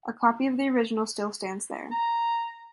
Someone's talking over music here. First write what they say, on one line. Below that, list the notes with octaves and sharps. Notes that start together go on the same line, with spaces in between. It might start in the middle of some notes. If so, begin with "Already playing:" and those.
A copy of the original still stands there.
A#5